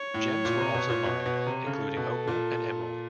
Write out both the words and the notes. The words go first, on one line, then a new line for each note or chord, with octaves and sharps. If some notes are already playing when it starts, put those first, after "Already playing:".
Gems were also mined, including opal and emerald.
Already playing: C#5
A2
A#2
C3
B2
A#2
B2
B2
C3
C#3 A4
B2
A#2